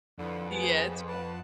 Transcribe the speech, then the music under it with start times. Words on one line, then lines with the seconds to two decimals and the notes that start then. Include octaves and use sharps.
Yeah, it's fun.
0.19 F2 D3 E4 B4
0.50 B3 G#4 B4 C5 G#5 A5
1.08 B4 F#5 A5